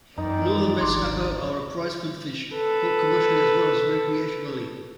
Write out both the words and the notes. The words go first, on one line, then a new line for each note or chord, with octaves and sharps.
Northern red snapper are a prized food fish, caught commercially, as well as recreationally.
F#2 D#3 E3 D#4 D5
D#1 G#1 D4 D5 C6 D6
A4 B4